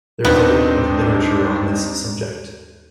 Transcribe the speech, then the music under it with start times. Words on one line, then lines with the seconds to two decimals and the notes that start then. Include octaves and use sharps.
There is a lot of Literature on this subject.
0.25 D#2 B3 C4 D4 D#4